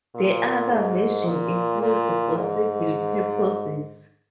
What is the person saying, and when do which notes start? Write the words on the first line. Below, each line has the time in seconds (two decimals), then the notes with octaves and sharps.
The other version is used for civil purposes.
0.15 A#2
0.70 G#2
1.26 A#2
1.82 A#2
2.37 G#2